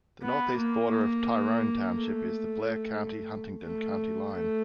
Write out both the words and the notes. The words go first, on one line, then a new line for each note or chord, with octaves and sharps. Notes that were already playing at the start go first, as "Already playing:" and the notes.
The northeast border of Tyrone Township is the Blair County-Huntingdon County line.
B3
A#3
A#3
A3
A3
A3